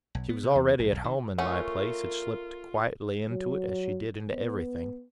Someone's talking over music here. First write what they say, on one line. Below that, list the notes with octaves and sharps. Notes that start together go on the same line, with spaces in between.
She was already at home in my place, had slipped quietly into it, as she did into everything.
B1
B3
C3
E2
A#1
B1
D#3
A3 C#4 F4 A#4 F#5 G#5
F#3
B3